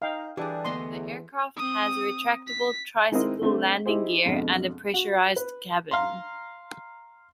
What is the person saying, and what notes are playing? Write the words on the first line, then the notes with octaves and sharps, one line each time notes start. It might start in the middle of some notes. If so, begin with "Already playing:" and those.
The aircraft has retractable tricycle landing gear and a pressurized cabin.
D#4 F5 G5
D3 E3 G3 D4 G4 G#4
D2 B3 D#5 C6
E2
C4 D#6
B6
D#3 G#3 C4 E4 A#4 D#5
D3 A3 C4
D#4 E4 G4 G#4 C5
F2 B2 D3 G#3
F#4
B4
F5 A#5 C6